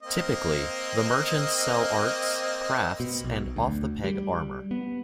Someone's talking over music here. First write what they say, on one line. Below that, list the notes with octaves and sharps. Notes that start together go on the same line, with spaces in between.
Typically, the merchants sell arts, crafts and off the peg armour.
A#3 C4 D#5
B2
B1
D2
G3
B3